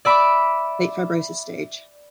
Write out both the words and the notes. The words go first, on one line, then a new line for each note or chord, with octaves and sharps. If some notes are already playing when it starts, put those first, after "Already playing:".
Late fibrosis stage.
D5 E5 B5 D6